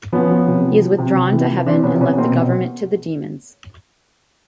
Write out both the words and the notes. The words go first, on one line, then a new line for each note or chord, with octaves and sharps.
He has withdrawn to heaven and left the government to the demons.
F3 B3 C#4
F3
C3
F3
F3
C3
C3
E3
E3
E3 C4 D4
C3 B3 C#4
C3 B3 C#4
B2 A#3 C4
B2